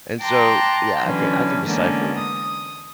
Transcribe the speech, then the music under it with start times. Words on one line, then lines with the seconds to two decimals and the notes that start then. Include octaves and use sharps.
and so, yeah, I can I can decipher
0.22 G5 A5 A#5 C6 D6 F#6
1.03 D3 E3 F#3 C#4 B4
1.65 D3 E3 G#3 A#3 B3 C#4
2.17 D#6